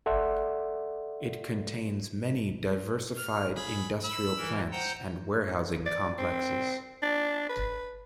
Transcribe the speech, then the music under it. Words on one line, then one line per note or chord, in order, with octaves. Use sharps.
It contains many diversified industrial plants and warehousing complexes.
A4 D5 E5 F#5 C6
F6
G#4 B5
B5 E6
E3 A#4
C5 F#5 G5 A#5
D5
C4
D4
B4